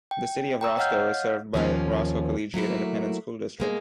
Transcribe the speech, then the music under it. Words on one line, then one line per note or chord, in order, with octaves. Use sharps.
The City of Roscoe is served by Roscoe Collegiate Independent School District.
G5
G5 A#5 E6
C#5 D#5 F5 F#5 F6 G6
D#2 B2 F3 A#3 C#4
F#3 A3 A#3 E4
B2 G#3 A#3